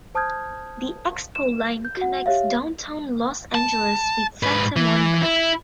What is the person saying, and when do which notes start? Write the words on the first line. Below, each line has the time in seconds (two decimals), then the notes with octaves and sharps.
The Expo Line connects Downtown Los Angeles with Santa Monica.
0.15 C5 A5 D#6 F6 G6 G#6
1.35 E7
1.85 G6
1.97 F#4 F#5
2.26 G4 C#5 E5 F5
3.55 A5
4.43 G#2 B4
4.76 E3
5.23 E4